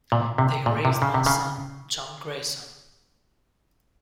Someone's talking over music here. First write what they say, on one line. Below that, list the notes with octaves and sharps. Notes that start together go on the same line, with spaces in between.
They raised one son, John Grayson.
A#2
C3
A#2
C3
C#3
C3
C#3